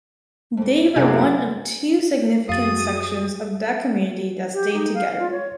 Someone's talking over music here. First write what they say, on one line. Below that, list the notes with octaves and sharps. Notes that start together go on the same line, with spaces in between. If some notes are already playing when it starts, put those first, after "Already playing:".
They were one of two significant sections of that community that stayed together.
F2 D3
F#2 C3 G4 G#4 F5 G#5
F#2 F#4 G#4 F5 D#6 A6
G4
D#4
F5
F4
C#5